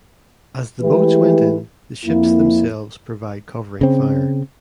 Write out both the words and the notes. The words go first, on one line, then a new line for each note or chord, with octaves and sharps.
As the boats went in the ships themselves provide covering fire.
E3 G#3 A3 E4 G4 B4
F2 A#3 E4
C#3 C4